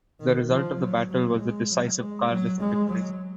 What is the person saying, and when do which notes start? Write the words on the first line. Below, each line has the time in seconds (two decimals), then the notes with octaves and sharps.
The result of the battle was a decisive Carlist victory.
0.20 D#3
0.50 F3
0.79 F#3
1.09 F#3
1.39 G#3
1.70 F#3
1.99 G#3
2.29 F#3
2.60 G#3
2.90 F#3